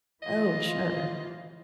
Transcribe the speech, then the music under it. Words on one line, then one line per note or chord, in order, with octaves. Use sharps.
Oh, sure.
E3 F4 D#5